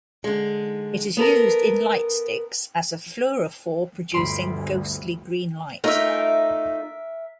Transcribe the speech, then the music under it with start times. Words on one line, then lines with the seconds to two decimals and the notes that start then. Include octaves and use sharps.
It is used in lightsticks as a fluorophor producing ghostly green light.
0.24 D3 G#3
1.17 B3 A4 A#4
4.12 G1 D2 B5 C6 D7
5.84 A3 D#4 F4 A#4 E5